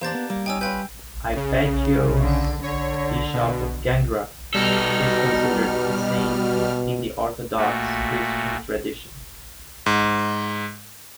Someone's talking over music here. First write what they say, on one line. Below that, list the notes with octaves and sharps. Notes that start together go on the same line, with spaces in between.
Hypatios, bishop of Gangra, is considered a saint in the Orthodox Christian tradition.
E2 A#3 D4 G4 C5 G6 A6
B3
G3 A#3
C#4 D#4 G5 G#5 E6
C#4 F4 B4 G5 G6
C#3
D3
D3 C#5
B2
B2 G3 D#4 A4 F6
A#2 A3 F#4
G#2